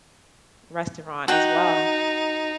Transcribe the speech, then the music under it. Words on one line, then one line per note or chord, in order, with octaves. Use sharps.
restaurant as well
D#4 F#4 F#5 G5